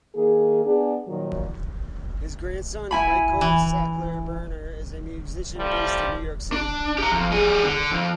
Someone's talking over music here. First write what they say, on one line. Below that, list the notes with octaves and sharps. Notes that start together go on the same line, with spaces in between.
His grandson, Michael Sackler-Berner, is a musician based in New York City.
D#3 A#3 G#4
B3 D4 G#4
A#2 D#3 F3 F#3
E4 G#5 B5
E3
A2 C3 F3 G3
D4
G4 A#5
F2
G3 G#4
D3
F2